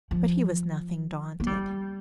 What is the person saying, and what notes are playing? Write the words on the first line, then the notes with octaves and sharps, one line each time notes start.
'But he was nothing daunted.
F3
A#3
G3